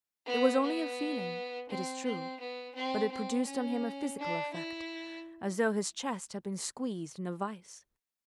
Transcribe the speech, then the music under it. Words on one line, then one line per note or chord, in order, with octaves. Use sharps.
It was only a feeling, it is true, but it produced on him a physical effect, as though his chest had been squeezed in a vice.
B3
B3
C4
C4
B3
C4
C4
C#4
D4
E4